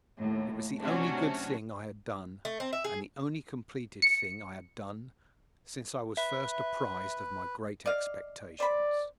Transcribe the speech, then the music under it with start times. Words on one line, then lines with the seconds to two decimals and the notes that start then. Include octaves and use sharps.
It was the only good thing I had done, and the only completed thing I had done, since I was first apprised of my great expectations.
0.18 D#2 A2
0.79 A2 C3 F#3 C#4 D4 F#4
2.45 A3
2.60 C4
2.73 E5
2.84 G#4
4.02 C#7
6.17 B4 E5
7.86 D5 D#5 F5
8.60 C5 D5 B5